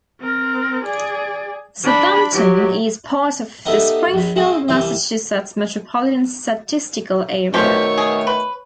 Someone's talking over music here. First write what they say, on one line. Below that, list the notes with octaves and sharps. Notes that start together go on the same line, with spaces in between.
Southampton is part of the Springfield, Massachusetts Metropolitan Statistical Area.
C4 A#4
G#4 D5
D4 B5
F#3 G4
B3 D#4 G4 A4 E5 F#5
A#1 B5
G#3 C4 E4
C2 E3 E4 G4 E5
B2 D#3 F3 G#3 A3 G4 C#5
G#4
B4